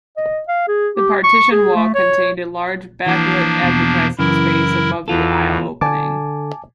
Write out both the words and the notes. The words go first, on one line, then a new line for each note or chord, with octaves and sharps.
The partition wall contained a large backlit advertising space above the aisle opening.
D#5
F5
G#4
G4
C#6
G#4
A3
C#5
E3 F3 A#3 D4
E2 B2
F#2 C#3 E3 E4 A#4
E2 E3 F4 A4
D3 G#5 A5 D6